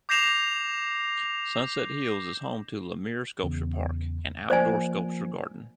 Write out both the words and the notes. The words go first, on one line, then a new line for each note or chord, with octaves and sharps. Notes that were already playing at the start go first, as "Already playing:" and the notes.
Sunset Hills is home to Laumeier Sculpture Park, an outdoor sculpture garden.
D6 G6 A#6 C7 E7 F7
E2 C#3
F3 A#3 C5 D5 G#5